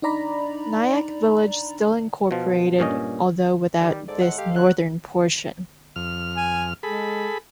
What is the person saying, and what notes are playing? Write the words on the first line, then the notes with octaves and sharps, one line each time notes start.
Nyack village still incorporated, although without this northern portion.
D4 D#4 D5 A#5 B5
B2 F3
G2 A#2 C#4 D#5
D#3 G3
G#2 G#3 A4 D5
A2 F#5
G4 F5
F#3 F#6
F2 F6
G#5
G#3 G#4 A4 B5